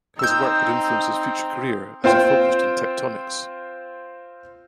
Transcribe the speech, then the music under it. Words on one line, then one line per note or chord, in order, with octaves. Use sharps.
His work would influence his future career, as he focused on tectonics.
C4 D#4 E6 G6
C4 F4 C5 G5